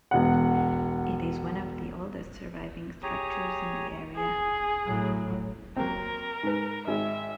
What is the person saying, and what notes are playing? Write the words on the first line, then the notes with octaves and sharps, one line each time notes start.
It is one of the oldest surviving structures in the area.
E1 F#5
G4 G#4 C#5 A#5 D#6
G#4
A2 F#3
F#3 A#3 C4 A#4
G#2 B4
G#1 E5